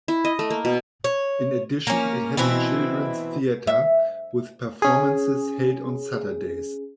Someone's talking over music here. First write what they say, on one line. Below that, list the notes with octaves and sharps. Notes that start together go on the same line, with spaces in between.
In addition, it has a children's theater with performances held on Saturdays.
E4
D#5
A3
A#3
B2
C#5
A#3 C#4
B2 E3 C4 E4
E5
C#4 G#4